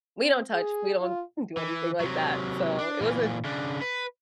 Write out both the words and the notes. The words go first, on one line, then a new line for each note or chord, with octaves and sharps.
we don't touch. We don't do anything like that, so, it was a
C4
G#4
F4
E3
C3 F#3
D4
A#2 E3
C#3 D4
B4